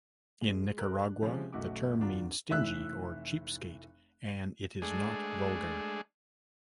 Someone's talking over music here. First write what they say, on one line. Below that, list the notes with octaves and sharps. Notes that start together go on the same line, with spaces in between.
In Nicaragua, the term means "stingy" or "cheapskate" and it is not vulgar.
G#3
A4 A#4 F#6
D4
C3 F3 G#3 C#4
F#1 B1 A3 F#4 D6
G#1 E2 D3 D4 F4 A#5
F1 E3 E5 E6 F#6
G#3 A3 D4 G#4